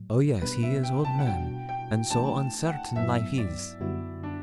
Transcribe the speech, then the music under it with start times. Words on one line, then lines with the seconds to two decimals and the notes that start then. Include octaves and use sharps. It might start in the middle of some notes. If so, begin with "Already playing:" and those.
Oh, yes--he is old man, and so uncertain life is.
Already playing: A2 F#3
0.42 B2 G3 B3 D4 B4
0.63 E5
0.83 G5
1.05 A5
1.19 F#5
1.26 B2 G3 D4 F#4 G5
1.69 G5
2.10 E3 A3 D4 A5
2.68 F#5
2.96 G2 F#3 B3 E4 E5
3.38 D5
3.80 F#2 D3 G3 B3 E4 F#4
4.23 D4